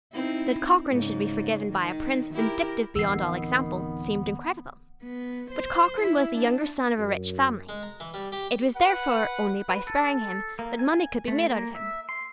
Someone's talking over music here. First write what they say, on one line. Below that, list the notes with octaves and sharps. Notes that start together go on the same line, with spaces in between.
That Cochrane should be forgiven by a prince vindictive beyond all example, seemed incredible. But Cochrane was the younger son of a rich family; it was therefore only by sparing him that money could be made out of him.
C4 D#4 E4
G#2 C#3
D#3
E4 G4 A#4
D1 D#3 E3 B3 C4 E6 C7
B3
C5
E4
D4
F#2
G#3
A#5
E3
G3
G4
B4 F#5
B4
A4
A#3
G#5
A3
A#3
E5
C6